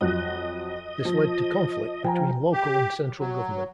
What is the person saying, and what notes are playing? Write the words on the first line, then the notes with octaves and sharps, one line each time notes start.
This led to conflict between local and central government.
F2 F#3 D#5 F#6
F3
F3 G5 G#5 A#5
G4
F#3